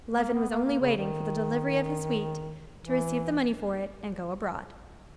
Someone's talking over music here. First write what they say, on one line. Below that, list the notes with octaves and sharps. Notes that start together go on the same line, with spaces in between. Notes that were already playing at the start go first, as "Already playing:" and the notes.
Levin was only waiting for the delivery of his wheat to receive the money for it and go abroad.
A#3
B3
A#3
A#3
C#3
D#3
E3